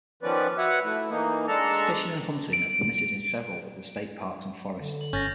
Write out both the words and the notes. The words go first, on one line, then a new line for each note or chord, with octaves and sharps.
Fishing and hunting are permitted in several of the state parks and forest.
D#3 F3 B3 C#4 B4 D5
F#4 B4 C#5 E5 F#5
A3 E4
E3 A#3 D#4
G#3 D4 A4 A5 A#5 C#6
D7
D3
F#7
G1 C#4 G6 A6 A#6